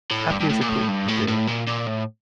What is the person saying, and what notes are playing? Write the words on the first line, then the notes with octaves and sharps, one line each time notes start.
Happy as a queen, the dear!
A2
G2
G2
A2
A#2
A2
G2
A2
A2
A#2
A#2
A2